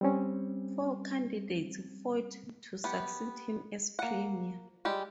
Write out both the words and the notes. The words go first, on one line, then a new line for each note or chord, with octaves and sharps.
Four candidates fought to succeed him as premier.
G3 C4 C#4
B3 G4
A#3 F#5
G3 G#3 G4